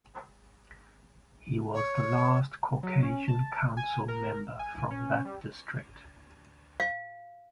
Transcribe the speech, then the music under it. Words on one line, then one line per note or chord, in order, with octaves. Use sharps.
He was the last Caucasian council member from that district.
C#5
F#3
C#4
A5
G#5
A#4
G#5
C#4
G3
F5